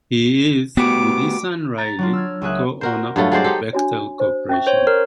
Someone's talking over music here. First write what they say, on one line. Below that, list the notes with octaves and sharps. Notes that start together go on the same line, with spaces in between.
He is, with his son Riley, co-owner of the Bechtel Corporation.
A3 B3 F#4 G4 D6
A#5 A6 A#6
F#3 D4 F4
E6 F6 G#6
C#2 F#3 A#3 G#4 E5 F#6
F#4 A#4 C5
G2 F#3 A3 F4
F#3 G#3 C5 D5
D#4 G4 A4
D4 F#4 C#5
C5
C#4 E5 C#6
C5 C#5
A#4